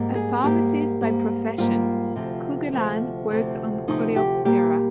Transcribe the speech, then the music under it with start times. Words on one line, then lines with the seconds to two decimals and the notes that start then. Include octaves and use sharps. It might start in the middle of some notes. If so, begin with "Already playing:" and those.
A pharmacist by profession, Kugelann worked on Coleoptera.
Already playing: G#2 G3 A#3
0.15 G#4
0.43 G#2 G3 A#3 G4
1.01 G#2 G3 A#3
1.58 G#2 G3 A#3 F4
2.16 D2 C3 F3
2.73 D2 C3 F3
3.31 D2 C3 F3
3.88 D2 C3 F3 D#4
4.16 G4
4.45 A#2 G3 A#3 G4